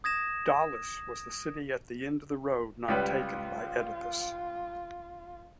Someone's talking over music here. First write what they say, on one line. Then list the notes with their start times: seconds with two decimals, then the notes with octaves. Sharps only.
Daulis was the city at the end of the road not taken by Oedipus.
0.04 D#6 G#6 A#6 E7
2.88 C#2 G3 F4 B4